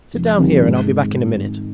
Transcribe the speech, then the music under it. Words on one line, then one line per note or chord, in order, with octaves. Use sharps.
'Sit down here and I'll be back in a minute.
F1
F2 D#3 G3 C4
G#2